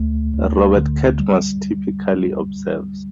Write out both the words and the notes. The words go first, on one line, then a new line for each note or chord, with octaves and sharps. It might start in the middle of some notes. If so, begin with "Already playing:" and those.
Robert Cadmus typically observes.
Already playing: D2 A3
D2
D3
G3